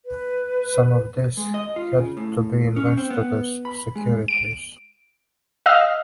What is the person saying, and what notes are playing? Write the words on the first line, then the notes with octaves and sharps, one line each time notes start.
Some of this had to be invested as securities.
B4
G#3
D#5
F4
C#3
A2
C#4
C4
B3
B5
G#3
D7
D#5 F5 E6 F6